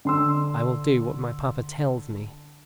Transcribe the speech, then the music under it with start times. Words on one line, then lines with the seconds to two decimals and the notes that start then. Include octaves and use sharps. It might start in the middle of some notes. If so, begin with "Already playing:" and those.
"I will do what my papa tells me."
0.05 D3 C6 E6